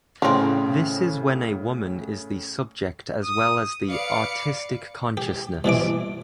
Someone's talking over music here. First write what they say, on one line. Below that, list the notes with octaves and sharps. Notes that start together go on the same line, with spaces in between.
This is when a women is the subject as well as the "artistic consciousness".
A2 C#3 F3 C4
D#6
B4 D5 F5 C#7
G4
G2 B2 E3 D6